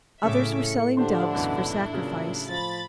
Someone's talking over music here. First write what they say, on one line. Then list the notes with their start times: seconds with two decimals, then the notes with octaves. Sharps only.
Others were selling doves for sacrifice.
0.23 A2 C#3 A3 C#4 E5 D6
0.63 C#7
0.97 D3 D4 E4 G4 C5 C6
1.33 B1 F#2 E3
1.93 A#2 C#3 F#3
2.48 F3 B5 A6